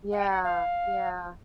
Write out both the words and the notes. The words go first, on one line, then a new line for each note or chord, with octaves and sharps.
Yeah. Yeah.
F#5
G5
F#5
F5